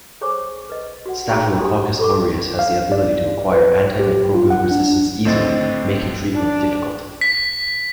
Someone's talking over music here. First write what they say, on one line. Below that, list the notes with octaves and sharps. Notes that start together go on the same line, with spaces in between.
Staphylococcus aureus has the ability to acquire antimicrobial resistance easily, making treatment difficult.
G#4 C5 C#5 G#5 C#6 D6
B4 D#5
F#4 F#5
D#4 F#4 G#4 A#5 C#6
F#4 G4 D5 G#5 C6 D#6
A4 A#4 B5 C#6 D6
F5
D5
B4
G4
F4
F#5
D4
A2 D3 C4 D#5 A6
D4
B6